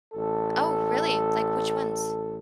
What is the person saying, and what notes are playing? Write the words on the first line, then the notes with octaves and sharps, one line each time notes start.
Oh, really? Like, which ones?
A1 A4